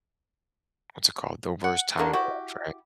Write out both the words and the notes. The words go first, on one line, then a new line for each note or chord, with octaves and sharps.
what's it called? The worst time of your life right?
F#5
D3 A#3 C#4 D4
E4 F#4 G4